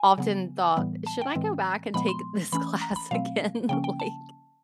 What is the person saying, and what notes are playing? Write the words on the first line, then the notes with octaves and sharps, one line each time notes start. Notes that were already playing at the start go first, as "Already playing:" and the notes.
often thought, should I go back and take this class again? Like,
Already playing: G#5
C#3 F#3 B3
A2 E3 G3 B3
A5
G5
A2 E3 G#3 C4
A#2 F3 G#3 B3 B5
C6
E3 A3 C#4 B5
A#5
B5
B2 F#3 A3 C4 F5
C#3 F3 A#3 C#4 G5
G5
A5